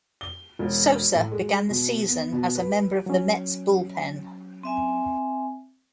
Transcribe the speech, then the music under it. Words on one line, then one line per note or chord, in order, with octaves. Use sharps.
Sosa began the season as a member of the Mets bullpen.
G7
E1
A2
G#3
B2
B3
B2
B4
F#3 C#4
C4 E5 G#5